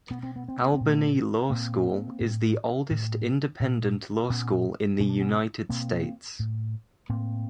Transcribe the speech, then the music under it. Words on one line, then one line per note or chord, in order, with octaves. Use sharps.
Albany Law School is the oldest independent law school in the United States.
B2 B3
C4
B3
C4
B3
C4
A#2
A3 B3
A#2 A#3 C4
A2
A2
A#2
A#2 B3 C#4
B2 C#4
D4
B3 C#4
B2 A#3 C4
A2
A2 A#3 C4